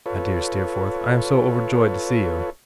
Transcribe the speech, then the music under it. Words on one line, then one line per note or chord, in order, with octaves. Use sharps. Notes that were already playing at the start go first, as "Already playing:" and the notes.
My dear Steerforth, I am so overjoyed to see you!'
F4 A4 B4 C#5